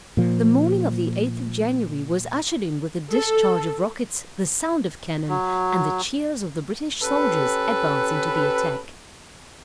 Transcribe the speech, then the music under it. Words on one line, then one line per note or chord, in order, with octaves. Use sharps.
The morning of the eighth of January, was ushered in with the discharge of rockets, the sound of cannon, and the cheers of the British soldiers advancing to the attack.
A#2 F3
A4
F#3
C#4 G4 A4 B4